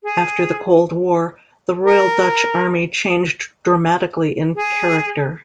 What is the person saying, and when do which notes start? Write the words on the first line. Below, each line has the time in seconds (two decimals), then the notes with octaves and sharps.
After the Cold War, the Royal Dutch Army changed dramatically in character.
0.03 G#4
1.84 A#4
4.55 G#4